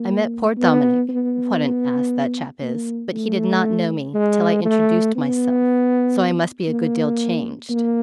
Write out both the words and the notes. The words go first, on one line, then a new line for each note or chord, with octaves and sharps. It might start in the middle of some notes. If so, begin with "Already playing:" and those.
I met poor Dominick--what an ass that chap is--but he did not know me till I introduced myself, so I must be a good deal changed.
Already playing: A#3
B3
B3
A#3
A3
G#3
A3
B3
A#3
A#3